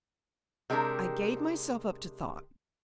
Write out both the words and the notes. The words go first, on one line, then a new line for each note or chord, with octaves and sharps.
I gave myself up to thought.
C3 G#3 B3 D4 G4 A#4